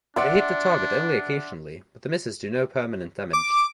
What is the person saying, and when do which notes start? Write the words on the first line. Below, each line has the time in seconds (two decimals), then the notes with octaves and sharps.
They hit the target only occasionally but the misses do no permanent damage.
0.16 D4 D5 E5 F#5 C6
3.33 D6